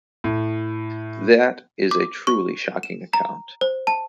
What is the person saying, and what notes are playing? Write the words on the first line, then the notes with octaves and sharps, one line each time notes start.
That is a truly shocking account.
A2
D6
C#6
E7
A#5
C5
A5